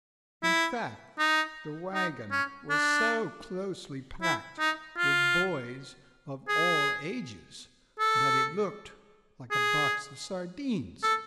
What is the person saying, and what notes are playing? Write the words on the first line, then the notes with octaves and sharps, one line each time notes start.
In fact the wagon was so closely packed with boys of all ages that it looked like a box of sardines.
E4
D#4
D#4
C#4
D4
E4
D#4
F4
G#4
A4
G#4
A4